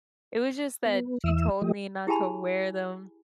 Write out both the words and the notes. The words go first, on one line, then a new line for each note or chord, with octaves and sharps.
It was just that she told me not to wear them
B3
E2 E3 E5 E6
F3 A3 G4 D#5
E4 G4 G#4 G#5 A5 B5